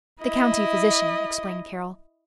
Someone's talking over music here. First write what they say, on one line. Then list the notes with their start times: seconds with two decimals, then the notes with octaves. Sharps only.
"The county physician," explained Carroll.
0.22 E4 D#5